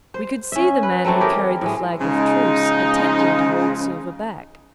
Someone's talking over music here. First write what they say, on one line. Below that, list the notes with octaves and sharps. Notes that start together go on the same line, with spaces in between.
We could see the man who carried the flag of truce attempting to hold Silver back.
C5
C#4 E5
B4
F#3 A3 C4 D4
E3 G4 G#4 A#4
A2 G#3
C#3 F3 G#3 D#4